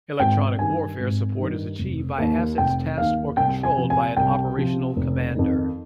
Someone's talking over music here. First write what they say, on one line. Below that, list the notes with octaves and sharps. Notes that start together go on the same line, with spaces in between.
Electronic warfare support is achieved by assets tasked or controlled by an operational commander.
G#1 G5
G2 D#3 G#5
G#1
G2 D#3
F1
D#2 D#3
F1 G5
D#2 D#3 F5
C2 G5
G#5
C3 F3
G#5
C2 G5
C3 F3
F1
F2 D#3